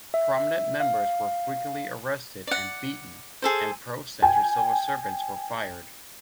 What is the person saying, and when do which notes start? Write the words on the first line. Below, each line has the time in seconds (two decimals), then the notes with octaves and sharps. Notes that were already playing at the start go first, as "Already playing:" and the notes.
Prominent members were frequently arrested and beaten, and pro-Centre civil servants were fired.
0.14 E5
0.80 F5
2.47 D5 F#5
3.42 G#4 A4 C5
4.22 G5 G#5